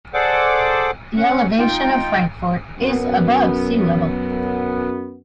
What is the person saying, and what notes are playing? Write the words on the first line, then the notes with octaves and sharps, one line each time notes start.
The elevation of Frankfort is above sea level.
G#4 A4 C5 D5 F#5 D6
C#4 F#5
D#4 F4 G5
F#2 B3